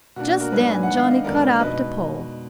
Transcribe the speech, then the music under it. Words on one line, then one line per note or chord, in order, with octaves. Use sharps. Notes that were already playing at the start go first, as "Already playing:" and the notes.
Just then Johnnie caught up the pole.
B2 A#3 D4 F#4
F#4 A#4
G#2 F#3 A#3 D4 G#4 B4
G#5
F#5
D#3 G#3 D4
F5
D#5
F2 D3 G#3 B3 D4 A#4 D5
B2 G#3 D#4 B4 D#5